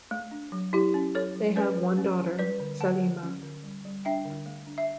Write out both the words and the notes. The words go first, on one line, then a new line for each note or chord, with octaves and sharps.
They have one daughter, Salima.
A3
D4
F#3
F#3 E4 G4
C#4
F#3 A4 C#5
F#3
C#4 B4 D5
F#3
C#4
C#4
G3 B4 D5
D3
D3 F#5 A5
D3
C#4
D3
G3
G3
D4 E5 G5
D3
A3
D4
E5